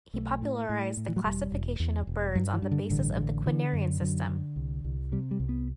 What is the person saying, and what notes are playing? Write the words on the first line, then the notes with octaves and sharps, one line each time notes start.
He popularized the classification of birds on the basis of the quinarian system.
B1 A3
A2
A2
A2
E3
F#3
E1 G3
E1
E2
E1
G2 F#3
E3
G2
D3
A1 D3
D3
D3 E3
F#2
D3 F#3
D3
C2
C2
C3 G3
G3
C2
B3